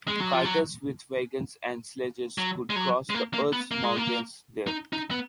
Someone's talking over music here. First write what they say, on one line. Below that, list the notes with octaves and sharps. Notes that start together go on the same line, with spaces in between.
Carters with wagons and sledges could cross the Erz Mountains there.
G#3
F#3
F3
F#3
F#3
G#3
F#3
G#3
A#3
A#3
B3
A#3
G#3
A#3
D#4
D#4
B3